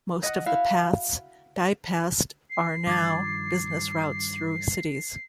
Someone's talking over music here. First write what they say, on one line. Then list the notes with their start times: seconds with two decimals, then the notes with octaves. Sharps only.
Most of the paths bypassed are now business routes through cities.
0.23 D#5 F#5
0.46 E4 F#4 E5 F5
2.50 C7
2.87 G2 D#3 F3 D6 G#6 A6